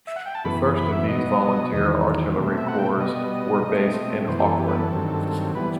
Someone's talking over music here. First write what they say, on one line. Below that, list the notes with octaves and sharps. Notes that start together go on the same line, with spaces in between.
The first of these Volunteer Artillery Corps were based in Auckland.
E5
F#5
G5
A5
F#2 E3 B3 B5
B5
E5
B2 F#3 B3 D#5
E2 D#3 F#3 D#5
B2 A3 C4
E5
F#5
G5
B2 G3 B3 D#5
B2 A3 C4
F#2 E3 B3 C5
G4
A4
G4
B4
A4
G2 D#3 F#3 C4
E3 G3 B3 B4